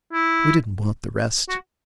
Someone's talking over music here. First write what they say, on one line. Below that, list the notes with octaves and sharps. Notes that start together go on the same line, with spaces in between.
We didn't want the rest.'
E4
F#4